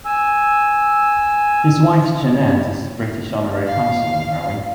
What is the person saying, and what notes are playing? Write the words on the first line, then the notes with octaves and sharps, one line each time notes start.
His wife Jeanette is British Honorary Consul in Darwin.
G#5 E6
F5